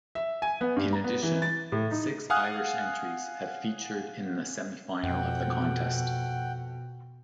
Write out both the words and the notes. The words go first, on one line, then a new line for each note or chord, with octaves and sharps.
In addition, six Irish entries have featured in the semi-final of the Contest.
E5
G#5
B3
G2
A#5
B3
E3
A6
A2
D#4
F5 F#5 G#5 D#6 F6 F#6
F2 B2 F#5 G5